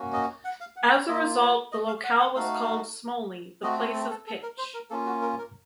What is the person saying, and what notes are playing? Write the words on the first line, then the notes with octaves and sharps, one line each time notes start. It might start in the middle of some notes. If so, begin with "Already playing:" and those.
As a result, the locale was called "smolny" - the place of pitch.
Already playing: A#3 C#4 F#4
D#5
F#5
F5
F#5
F5
A#3 F4 D#5
C#5
D#5
F5
F#5
F#5
A3 D#4 F#4 F5
A3 C4 F#4 D#5
F#4
A4
A4
A4
A#4
C5
A#4
A#3 C#4 F4 A4
F#4
A#4
A#4